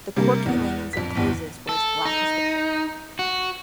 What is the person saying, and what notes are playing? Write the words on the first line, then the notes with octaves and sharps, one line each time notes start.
The quirky lanes and closes were as black as the pit.
C3 G3 A#3
E2 B3
F2 B6
G1 E2
A4
D#4
F#4